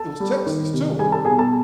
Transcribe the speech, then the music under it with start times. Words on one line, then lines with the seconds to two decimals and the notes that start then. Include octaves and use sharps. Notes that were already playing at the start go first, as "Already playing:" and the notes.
It was Texas, too.
Already playing: A4 A5
0.20 G3
0.47 D#3
0.73 C3
0.99 G3 G#4 G#5
1.12 A4 A5
1.25 B2 G#4 G#5
1.38 A4 A5